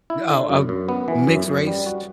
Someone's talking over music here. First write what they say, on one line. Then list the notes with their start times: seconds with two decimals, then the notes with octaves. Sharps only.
Oh, um, mixed raced?
0.10 E4
0.30 D3
0.49 F#2
0.69 F#2
0.89 B3
1.08 E3
1.27 F#2
1.47 F#2
1.67 G3
1.86 F#4